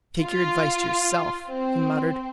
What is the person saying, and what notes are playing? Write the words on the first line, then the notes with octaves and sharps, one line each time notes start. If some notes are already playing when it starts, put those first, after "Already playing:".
"Take your advice to yourself," he muttered.
F4
C4